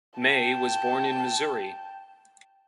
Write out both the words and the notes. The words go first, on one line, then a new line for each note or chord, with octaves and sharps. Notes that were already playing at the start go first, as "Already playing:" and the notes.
May was born in Missouri.
G5 A5